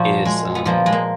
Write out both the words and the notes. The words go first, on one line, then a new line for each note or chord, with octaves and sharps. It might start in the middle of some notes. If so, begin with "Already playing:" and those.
is, um,
Already playing: A#2 F3 F#4
G#3
B3
A#2 F3 A#3
G#3
A#3